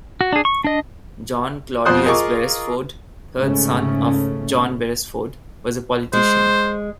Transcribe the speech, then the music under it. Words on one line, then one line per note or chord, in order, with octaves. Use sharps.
John Claudius Beresford, third son of John Beresford, was a politician.
F#4
D4 G#4
C#6
D4 D#5
F2 B2 F3 C5 D#6 F#6
F4 G#4 A#4 D#5 C#6 D6
G#2 C#3 A3 C#4
G#3 C5